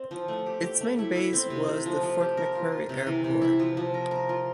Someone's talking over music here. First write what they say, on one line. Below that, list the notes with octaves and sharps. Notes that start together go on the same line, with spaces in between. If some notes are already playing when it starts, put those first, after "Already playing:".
Its main base was the Fort McMurray Airport.
Already playing: C4
F3
A3
G4
G4
A3
E4
E4
C4
C3
C3
F3
F3
G4
A#4
F4
F4
C3
E3
C3
E4
F3
F3
A#4
A#4
F4